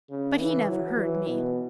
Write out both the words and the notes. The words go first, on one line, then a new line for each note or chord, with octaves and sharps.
But he never heard me.
C#3
E3
F#3
E3
B2